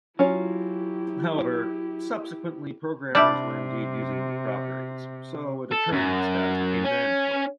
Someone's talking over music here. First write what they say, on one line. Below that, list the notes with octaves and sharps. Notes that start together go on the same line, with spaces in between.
However, subsequently programmers were indeed using these properties, so a determinate status became mandatory.
F#3 C#4 E4 F4 G4 C#5
C3 G3 D4 E4 D5
A4
F#2
C#4